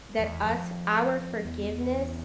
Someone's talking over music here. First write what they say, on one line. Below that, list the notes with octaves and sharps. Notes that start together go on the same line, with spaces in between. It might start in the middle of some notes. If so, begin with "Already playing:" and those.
that us our forgiveness
E2
F2
E2